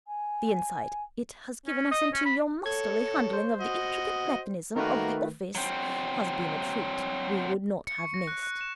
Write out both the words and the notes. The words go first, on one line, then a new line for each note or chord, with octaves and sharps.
The insight it has given us into your masterly handling of the intricate mechanism of the office has been a treat we would not have missed.
G#5
C#4
D#5
C#4
B5
A4 C#5 G#6
C5
F#4 D#5
D#3 A3 A#3 F#4 A#4 B4
F#3 C4
C#7
C#6
A#6
F#6
F#6
E7